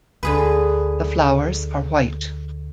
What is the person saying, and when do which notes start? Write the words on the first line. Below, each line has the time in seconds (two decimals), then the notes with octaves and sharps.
The flowers are white.
0.23 D2 D3 G#4 B4